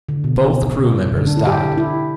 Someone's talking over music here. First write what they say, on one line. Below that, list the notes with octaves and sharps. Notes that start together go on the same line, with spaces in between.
Both crew members died.
D3
B2
D3
D4
E4
G4
E4